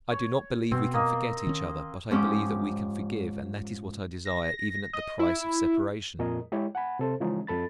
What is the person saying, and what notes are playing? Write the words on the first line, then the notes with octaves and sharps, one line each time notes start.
"I do not believe we can forget each other; but I believe that we can forgive and that is what I desire even at the price of separation."
C#5
B2 C4
A#3 D#5
D#3 C#4
G#2 F3 C#4 G4 D#5 D6
A#6
D#5
E4
F2 A#2 G#4 A#4 D#5
G#3 E4 G4 C#5
F#5 G#5 B5
C3 A4 C5
C#3 E3 F3 G#3 C#4 D#4
F2 A4 B5 A6